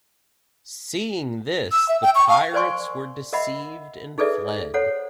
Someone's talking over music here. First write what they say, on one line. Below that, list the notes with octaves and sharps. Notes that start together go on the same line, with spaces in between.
Seeing this, the pirates were deceived and fled.
E6
E5
G5
C#6
F5
A#4 C5 D5 G#5 C6 C#6
A#4 D#5 E5 F#5 B5
D#4 G#4 A4 B4 D5 E5
A4 C5 C#5 F#5